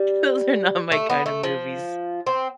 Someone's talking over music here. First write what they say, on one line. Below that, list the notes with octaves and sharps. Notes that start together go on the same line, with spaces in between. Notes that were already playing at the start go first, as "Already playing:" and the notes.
Those are not my kind of movies.
Already playing: G3
A3
B3
A3
F3
C4